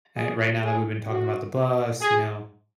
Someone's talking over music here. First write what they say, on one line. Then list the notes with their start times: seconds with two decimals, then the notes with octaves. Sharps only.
eh, right now that we've been talking about the bus, you know,
0.17 G#4
0.64 G#4
1.09 F#4
2.02 G#4